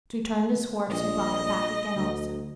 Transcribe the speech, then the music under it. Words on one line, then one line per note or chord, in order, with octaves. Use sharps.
So he turned his horse and brought her back again also.
A#1 D#5
D2